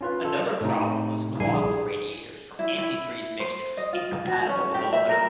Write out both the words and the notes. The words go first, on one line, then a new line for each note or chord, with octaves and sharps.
Another problem was clogged radiators from antifreeze mixtures incompatible with aluminum.
C#4 F4 B4
A4
A2 C3 D#4
A#1 D3 G3 E4 G#5 C7
G#4
E4
E4
C5
D#5
F4
F#4
C#4
G4
E5
A#4